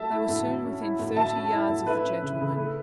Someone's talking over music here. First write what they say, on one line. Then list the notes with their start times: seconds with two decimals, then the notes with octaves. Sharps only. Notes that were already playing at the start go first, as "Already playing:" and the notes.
They were soon within thirty yards of the gentleman.
Already playing: F#3 A3 E5 A5
0.10 E4
0.28 A2
0.46 F#3
0.64 C#4
0.81 E4
0.99 A2
1.16 F#3 E5 A5
1.34 C#4
1.51 E4
1.69 A2
1.87 A3 B4 E5
2.05 C#4
2.22 C#3
2.40 C#3
2.57 A3